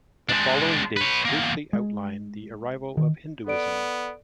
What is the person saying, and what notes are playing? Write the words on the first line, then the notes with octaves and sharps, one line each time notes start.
The following dates briefly outline the arrival of Hinduism.
G#3 D4
B4 C#5
E2 A#3
G#3
D#3
B3 A4 D5 D7